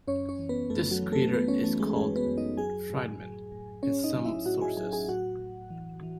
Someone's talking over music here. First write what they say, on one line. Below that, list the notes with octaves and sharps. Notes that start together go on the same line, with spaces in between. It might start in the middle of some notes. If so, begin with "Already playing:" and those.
This crater is called Friedmann in some sources.
F#2 C#4 C#5
C#4 C#5
E3
B3 B4
F#2 A3 A4
F#3 F#4
E3
A3 A4
E3 B3 B4
C#4 C#5
E3 A3 A4
G#3 G#4
F#2 G#3 G#4
B3 B4
F#2
D#4 D#5
F#3 G#4 G#5
A2
F#3
A2
A2 C#4 C#5
D#4 D#5
F#3
E4 E5
A2 F#4 F#5
G#4 G#5
F#3 G#4 G#5
G#4 G#5
A2 F#4 F#5
A2
E3
E3